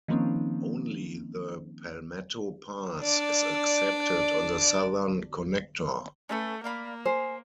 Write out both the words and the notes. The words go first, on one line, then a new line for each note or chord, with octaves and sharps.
Only the Palmetto Pass is accepted on the Southern Connector.
D#3 F3 A#3 C4 C#4 D#4
D4 D5
A3 C#4 A4 B4
A#3 D5 F5 B5
G#4 C5